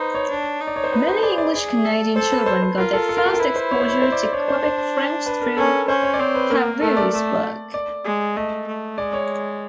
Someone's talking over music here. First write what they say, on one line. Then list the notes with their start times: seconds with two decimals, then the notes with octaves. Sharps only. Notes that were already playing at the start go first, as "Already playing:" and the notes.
Many English Canadian children got their first exposure to Quebec French through Favreau's work.
Already playing: D#4 B4 C5
0.15 C#5
0.30 D4
0.61 D#4
0.67 D5
0.76 C#5
0.84 C5
0.92 B4
1.07 C5
1.23 G#4 D5
1.38 D5
1.54 G#4 D5
1.85 A4
2.16 A4 C5
2.31 B4
2.46 C5
2.62 C5
2.78 F4 A#4
2.93 A4
3.09 A4
3.17 A#4
3.26 A4
3.34 A#4
3.40 E4 B4
3.56 C5
3.71 C#5
3.80 C5
3.89 C#5
4.02 C5
4.12 D5
4.23 D5
4.33 D4 C#5
4.48 C5
4.56 C#5
4.63 C5
5.26 B4
5.42 A#4
5.57 C#4 A4
5.88 C#4 C5
6.03 C#5
6.14 D5
6.19 C4 C#5
6.35 B4
6.50 A#3 A#4
6.81 A3 A4
6.97 D5
7.12 A3
7.74 D5
8.05 G#3
8.36 A3 D#5
8.67 A3
8.98 G#3 D5
9.13 C#5